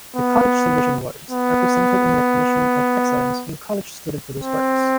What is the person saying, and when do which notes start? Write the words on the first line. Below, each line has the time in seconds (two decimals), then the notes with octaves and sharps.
The College Television Awards are presented in recognition of excellence in college student-produced works.
0.17 B3
1.31 B3
4.39 C4